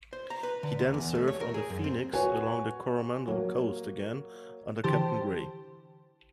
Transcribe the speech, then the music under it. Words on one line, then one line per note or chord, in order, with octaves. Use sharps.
He then served on the "Phoenix" along the Coromandel Coast again under Captain Gray.
C5
A#5
B4
D3
D2
E2
A3
C#5
A#4
G#4
F#2
C4
F#4 B4 C#5 G#5
F#3 A#3
D3 E3 G4 C5 A5